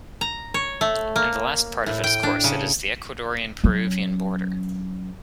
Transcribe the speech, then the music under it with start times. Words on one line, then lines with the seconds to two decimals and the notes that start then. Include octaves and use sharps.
In the last part of its course it is the Ecuadorian-Peruvian border.
0.21 A#5
0.54 C#5
0.81 A3
1.16 A#3
1.86 A2
2.04 G5
2.23 D4
2.44 C#3
3.64 F#3 C#4